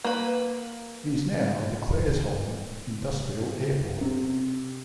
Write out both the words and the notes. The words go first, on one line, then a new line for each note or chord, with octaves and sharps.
It is now the Claresholm Industrial Airport.
A#3 B4
C3